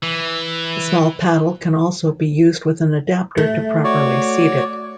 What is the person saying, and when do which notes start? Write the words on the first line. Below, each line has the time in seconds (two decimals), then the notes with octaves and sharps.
The small paddle can also be used with an adapter to properly seat it.
0.03 E3
3.37 A3
3.84 F#4 C#5 D5